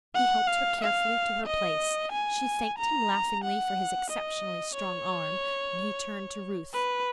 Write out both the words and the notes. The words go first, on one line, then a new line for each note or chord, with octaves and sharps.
He helped her carefully to her place; she thanked him laughingly for his exceptionally strong arm, and he turned to Ruth.
F#5
F5
F5
D#5
G#5
A#5
F#5
D#5
C#5
B4